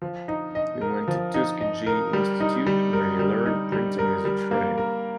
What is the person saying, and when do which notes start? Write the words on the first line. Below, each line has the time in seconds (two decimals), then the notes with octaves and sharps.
He went to Tuskegee Institute, where he learned printing as a trade.
0.02 F3
0.28 D#4
0.55 D#5
0.81 A#4
1.08 F3
1.34 D#4
1.61 D#5
1.87 A#4
2.13 G3
2.40 D#4
2.66 G3
2.93 A#4
3.19 G3
3.46 D#4
3.72 G3
3.99 A#4
4.25 G3
4.51 A#3
4.78 A#4